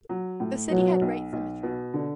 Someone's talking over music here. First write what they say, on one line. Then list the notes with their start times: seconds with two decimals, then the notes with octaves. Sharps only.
The city had great symmetry.
0.09 F#3
0.40 A2
0.71 B2 F#3
1.01 B1
1.33 B1
1.63 B2
1.94 D3